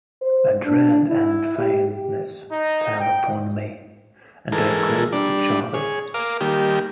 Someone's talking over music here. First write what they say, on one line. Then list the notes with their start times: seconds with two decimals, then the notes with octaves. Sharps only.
A dread and faintness fell upon me, and I called to Charley.
0.21 C5
0.65 D4
1.08 E4
1.58 G4
1.89 G4
2.51 D#4
2.99 G5
4.52 E3 G#3 A4 A#4
5.13 G3 D4 D5
5.74 G#4 C#5
6.14 A#4 F5 D6
6.41 D#3 G3 A#3 G4